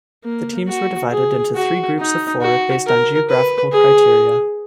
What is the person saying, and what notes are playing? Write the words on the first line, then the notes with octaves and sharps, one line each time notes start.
The teams were divided into three groups of four based on geographical criteria.
A#3
F#4
G#4
F#4
D#4
F#4
A#4
B4
G#4